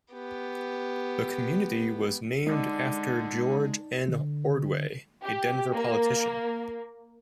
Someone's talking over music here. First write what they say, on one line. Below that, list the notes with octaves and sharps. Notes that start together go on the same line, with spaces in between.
The community was named after George N. Ordway, a Denver politician.
B3 G4
D3 G#3 D#4
D3
G4
A#3